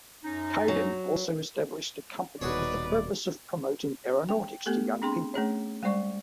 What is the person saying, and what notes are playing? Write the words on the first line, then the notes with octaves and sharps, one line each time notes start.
Caidin also established a company with the purpose of promoting aeronautics to young people.
F#2 C#4 D#4
F#3
D#1 B2 D#4 F#4 G#4 B4 C#5 D5
G5
A3 B3 G4 A4
C4 D4 G#4 G5 C6
A3 C#4 G#4 C#5
G3 G#3 C5 D5 C#6